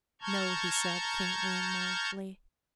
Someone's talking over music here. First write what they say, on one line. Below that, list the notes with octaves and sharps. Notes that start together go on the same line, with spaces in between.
"No," he said, faintly and mournfully.
A5 A#5 C#6 F6 G6 G#6